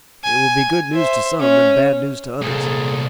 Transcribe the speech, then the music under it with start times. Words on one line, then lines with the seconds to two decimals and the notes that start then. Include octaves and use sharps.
It will be good news to some, an' bad news to others.
0.24 G#5
0.92 C5 E5
1.40 C#4
2.41 C2 A#2 G#4 A4